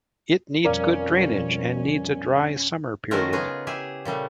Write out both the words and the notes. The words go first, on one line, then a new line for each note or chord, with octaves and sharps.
It needs good drainage, and needs a dry summer period.
F2 B2 G3 C#4 A#4 D5 F5
D#3 F#3 A3 C#4 F4 A#4
C#3 B3 D#4 F4 G#4
E4 G4 G#4
A#2 C#3 G3 A3